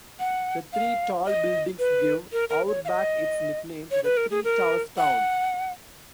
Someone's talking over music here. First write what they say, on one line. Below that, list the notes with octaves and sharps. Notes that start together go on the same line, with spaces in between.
The three tall buildings give Auerbach its nickname "the Three Towers Town".
F#5
F5
D#5
B4
A#4
A#4
C#5
F5
D#5
C#5
B4
A#4
G#4
A#4
F#5